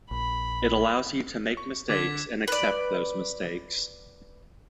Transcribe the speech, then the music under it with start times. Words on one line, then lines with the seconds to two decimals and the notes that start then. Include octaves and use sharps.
It allows you to make mistakes and accept those mistakes.
0.11 A#1 B5
1.57 C#6
1.89 D3 D6 G#6 B6
2.48 B4 D5